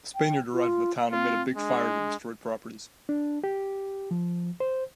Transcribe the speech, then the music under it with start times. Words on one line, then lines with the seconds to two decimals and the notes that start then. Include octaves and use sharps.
A Spaniard arrived in the town amid a big fire that destroyed properties.
0.15 G5
0.53 F4
1.12 C4 F4
1.57 G#3 D4
3.09 D4
3.44 G4
4.11 F3
4.60 C5